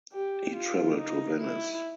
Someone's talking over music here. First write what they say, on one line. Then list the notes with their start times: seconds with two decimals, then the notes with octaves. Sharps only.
He traveled to Venice.
0.13 G4
0.55 F4
0.98 D#4
1.40 E4